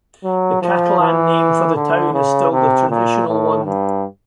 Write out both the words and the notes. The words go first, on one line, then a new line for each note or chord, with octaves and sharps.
The Catalan name for the town is still the traditional one.
F#3
F3
E3
D3
C#3
C3
A#2
A2
G2